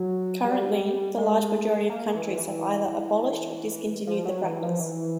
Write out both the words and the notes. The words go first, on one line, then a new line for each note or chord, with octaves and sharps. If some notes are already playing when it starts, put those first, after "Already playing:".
Currently, the large majority of countries have either abolished or discontinued the practice.
Already playing: F#3
G3
G#3
A#3
E3
E3
F3
F#3
E3
F3
E3